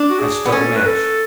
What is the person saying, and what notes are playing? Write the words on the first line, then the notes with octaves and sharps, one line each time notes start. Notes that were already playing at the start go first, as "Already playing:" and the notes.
I struck a match.
Already playing: D4
F#4
G#4
B3
C#4 A4
B4
A4